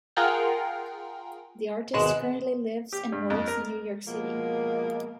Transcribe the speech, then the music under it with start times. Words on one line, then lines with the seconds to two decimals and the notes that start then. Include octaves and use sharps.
The artist currently lives and works in New York City.
0.16 F4 G#4 A#4 F#5 G5 F6
1.94 G#1 B2 G#3 F#6 E7
2.93 G4
3.12 G2
3.30 F2
3.48 A#4
4.08 B2 F3 G#3 A#3